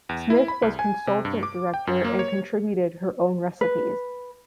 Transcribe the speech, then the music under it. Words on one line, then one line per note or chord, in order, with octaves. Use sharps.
Smith was Consultant director and contributed her own recipes.
E2
E4
B5
C2
G#5
C3
G2
D6
G5
F#2
A#3
C#5
B4